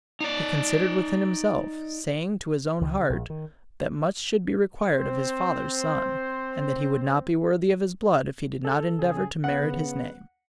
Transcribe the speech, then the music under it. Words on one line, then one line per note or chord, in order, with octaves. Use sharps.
He considered within himself, saying to his own heart, that much should be required of his father's son, and that he would not be worthy of his blood if he did not endeavour to merit his name.
D#4 D5
C#2
C#3
A#1
D#3
C4 C5
A4
C#3 G#4
C#3 B3 F#5